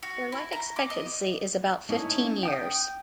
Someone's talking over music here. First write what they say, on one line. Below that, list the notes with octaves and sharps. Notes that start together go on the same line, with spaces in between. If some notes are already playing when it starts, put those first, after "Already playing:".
Their life expectancy is about fifteen years.
F#4
E4
A#5
D6
D#5
A3 C#4 D#4 E4
G5 D#6 G6